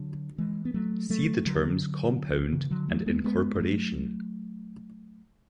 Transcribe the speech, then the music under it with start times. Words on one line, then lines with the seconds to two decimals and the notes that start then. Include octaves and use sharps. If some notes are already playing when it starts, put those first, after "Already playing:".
See the terms 'compund' and 'incorporation'.
Already playing: D3 F#3
0.38 E3 G#3
0.65 B3
0.74 F#3 A3
1.10 F#3 A3
1.46 D3 F#3
2.52 C#3 E3
2.70 D3 F#3
2.88 F#3 A3
3.06 G#3 B3
3.24 G#3 B3
3.55 G#3
3.60 F#3 A3